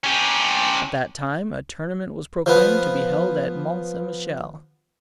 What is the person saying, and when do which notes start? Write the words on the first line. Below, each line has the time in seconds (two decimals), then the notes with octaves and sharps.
At that time a tournament was proclaimed to be held at Mont St. Michel.
0.04 C#4 G4
2.46 F3 B3